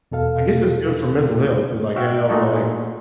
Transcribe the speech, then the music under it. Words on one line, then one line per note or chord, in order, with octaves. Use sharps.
I guess it's good for mental health to, like, have, like,
E2 B2 A4 F5
F#4 E5 F5 G5
A#2 G#3 A3 D#4 F#4 A4